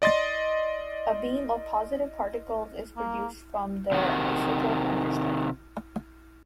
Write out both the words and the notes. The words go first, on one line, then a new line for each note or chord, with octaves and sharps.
A beam of positive particles is produced from the isotope under study.
D5 D#5 C6 A6
A#3
C3 D#3 F#4